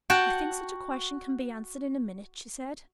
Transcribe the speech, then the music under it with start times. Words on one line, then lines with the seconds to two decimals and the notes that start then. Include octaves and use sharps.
"You think such a question can be answered in a minute," she said.
0.10 F#4 F#5 G5 A5